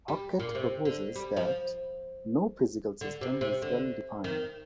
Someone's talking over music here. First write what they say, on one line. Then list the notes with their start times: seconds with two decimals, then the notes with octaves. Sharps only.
Hockett proposes that "no physical system is well-defined".
0.08 G3
0.40 A#2
0.55 C3
0.85 D3
1.16 G3
1.37 F3
3.01 D3
3.21 C3
3.41 C3
3.62 D3
4.24 D#3